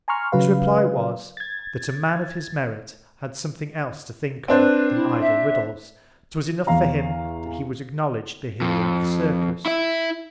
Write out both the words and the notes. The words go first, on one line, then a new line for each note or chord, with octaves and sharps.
His reply was, that a Man of his Merit had something else to think on, than idle Riddles; 'twas enough for him, that he was acknowledg'd the Hero of the Circus.
G#5 A#5 C6 C#6 F6
C#3 F#3 B4 F5
G#6 A6
C4 D4 B4 C5
E4
E5
E2 E3 F5 A#5
F2
E4 E5